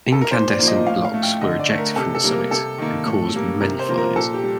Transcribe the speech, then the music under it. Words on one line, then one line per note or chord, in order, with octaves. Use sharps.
Incandescent blocks were ejected from the summit and caused many fires.
A4
A#4
A#2 C5
D5
F3 A#3
D#5
A2 F5
F5
A3
G5
D3 D#5
D5
A3
A#4
C3 A4
A4
G3 A#3
A#4
C3 A4
D#3 A#3
A2
G3 A#3
C3 A#4
C5
F3 A#3
A#4
A#2 A4
G4
G3